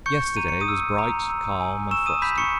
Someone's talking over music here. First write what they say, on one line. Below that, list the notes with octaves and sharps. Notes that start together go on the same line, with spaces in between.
Yesterday was bright, calm, and frosty.
C#6 G6 C#7
A#5 D#7
C#7
D#6 D#7
E6
A#5
E6
G#5
C#6 E6 E7
D#6 D#7
B5 G6 B6
C#6 C#7